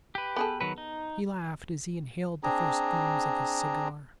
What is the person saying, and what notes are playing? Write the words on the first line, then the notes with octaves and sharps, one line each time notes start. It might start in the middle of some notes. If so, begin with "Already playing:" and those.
He laughed as he inhaled the first fumes of his cigar.
G4 B4
B3 G#4 A4
D#3 F#3 B4
D#4
C4 D4 G#4 A#5